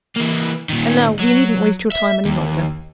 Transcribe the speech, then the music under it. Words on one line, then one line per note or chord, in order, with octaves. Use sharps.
And now, we needn't waste your time any longer.
E3 A#3
A#2 D#3
F#3
E5
D#2